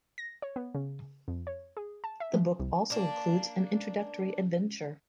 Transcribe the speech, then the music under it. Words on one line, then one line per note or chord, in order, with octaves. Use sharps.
The book also includes an introductory adventure.
A#6
C#5
B3
C#3
F2
C#5
G#4
A5
E5
F3
C2
A#3 D4